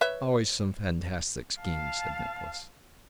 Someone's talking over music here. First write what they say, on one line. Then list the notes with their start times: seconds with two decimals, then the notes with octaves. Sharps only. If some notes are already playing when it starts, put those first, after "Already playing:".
"Always some fantastic schemes," said Nicholas.
0.01 B4 C#5 E5
1.61 F5 A5